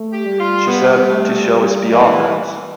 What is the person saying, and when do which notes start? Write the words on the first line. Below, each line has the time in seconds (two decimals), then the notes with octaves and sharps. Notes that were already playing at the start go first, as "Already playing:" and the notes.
She said, This show is beyond that.
Already playing: A3
0.11 G4
0.25 G3
0.39 F4
0.67 B3
1.09 A3
1.93 E3